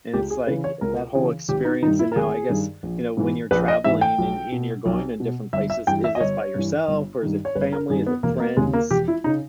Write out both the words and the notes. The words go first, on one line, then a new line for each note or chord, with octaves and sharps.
And it's like, uh, that whole experience and now I guess, you know, when you're traveling and and you're going to different places, is this by yourself or is it with family? Is it friends?
C#2 G4
G#4
C#3 E3 B4
C#5
C#2 A#4
C#3 E3 G#4
G#1 G4
D#4
G2 D#3 D#4
E4
A#4
G#1 G#4
G2 D#3
A#1
G#2 E3
A#1 B4
D#5
G#2 E3 E5
G5
B1
B2
B1
B2
G1 E5
E5
G2 E3 G5
E5
D#5
G1 C#5
G2 E3
G1
G2 D#3
C#5
G1 B4
A#4
G2 D#3 G#4
B3
E1 A#3
A#3
D#2 C#3 G#3
A#3
E1 G4
E4
C#3 D#4